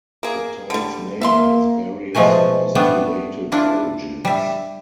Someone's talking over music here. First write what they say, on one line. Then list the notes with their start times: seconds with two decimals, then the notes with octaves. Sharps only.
The town's name has various postulated origins.
0.23 A#3 G#4
0.70 D3 G3
1.21 A#3 E5 F5 C6
2.15 B2 F3 G#3 A3 G#5
2.75 G3 A3 B3 D4
3.52 D4 E4 F4
4.25 G3 E5